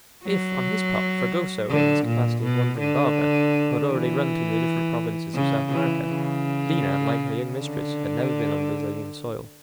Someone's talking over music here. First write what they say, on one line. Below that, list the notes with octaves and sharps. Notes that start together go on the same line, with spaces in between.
If, on his part, Fragoso, in his capacity of wandering barber, had already run through the different provinces of South America, Lina, like her young mistress, had never been on Brazilian soil.
F#3
D3
A#2
B2
D3
E3
C#3
E3
C#3
D3